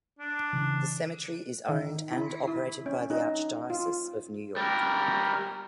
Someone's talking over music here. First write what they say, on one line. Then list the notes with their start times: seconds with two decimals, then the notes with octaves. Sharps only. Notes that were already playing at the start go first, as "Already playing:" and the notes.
The cemetery is owned and operated by the Archdiocese of New York.
0.19 D4
0.53 C#3 E3
1.69 D#3
2.12 E4
2.48 E4
2.86 C#4
3.10 D#4
3.70 F4
4.57 G3 A#4